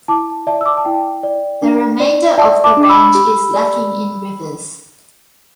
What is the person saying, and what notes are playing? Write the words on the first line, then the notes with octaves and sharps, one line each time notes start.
The remainder of the range is lacking in rivers.
E4 A5 D6
D5 E5 A5
E6
A5 D6
A5
E4 G5
D5
D4
D5
D5 E5 A5
A5 D6
D4
D6
B5 E6
G4
D5